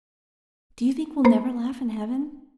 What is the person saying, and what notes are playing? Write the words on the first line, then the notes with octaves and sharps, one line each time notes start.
"Do you think we'll never laugh in heaven?"
A#3 B3 C5